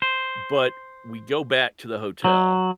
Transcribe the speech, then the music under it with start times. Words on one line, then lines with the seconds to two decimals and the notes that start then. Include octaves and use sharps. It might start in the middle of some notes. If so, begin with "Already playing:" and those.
but we go back to the hotel,
0.02 C5
2.24 F#3